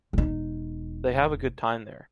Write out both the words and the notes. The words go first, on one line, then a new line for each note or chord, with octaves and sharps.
They have a good time there.
E1 D#4